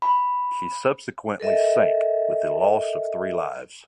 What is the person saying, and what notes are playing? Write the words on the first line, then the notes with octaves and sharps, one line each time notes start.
She subsequently sank with the loss of three lives.
B5
A4 A#4 D#5 E5